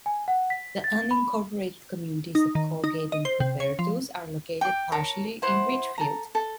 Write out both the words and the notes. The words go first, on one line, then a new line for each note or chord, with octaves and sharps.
The unincorporated communities of Colgate and Hubertus are located partially in Richfield.
G#5
F#5
B6
A6
B5
D#4
D#3
D#4
D#5
C5
C3
C#5
F3
G5 D6
A#4 C#5 A5
E4 C5 F#5
A4 A#5
A4